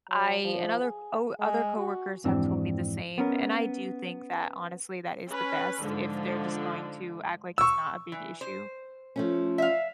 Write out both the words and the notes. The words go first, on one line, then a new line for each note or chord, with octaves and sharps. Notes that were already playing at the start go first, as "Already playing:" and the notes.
I and other o other coworkers have told me the same, and I do think that, honestly, that is the best if they're just going to act like it's not a big issue.
F#3
F3
G#4
G#3
F#4
F2 G#2 E3 C4 D4 G4
B3 C#4 A#4
C#4 B4
G#2 D3 F3
C#6 E6
E3
C5
F3 A3 C#4
E5 F5